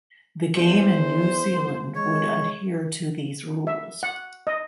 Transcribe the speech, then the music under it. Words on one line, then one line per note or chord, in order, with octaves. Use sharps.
The game in New Zealand would adhere to these rules.
E2 C5
G1
G#3 C#5
E5
F#5
D#5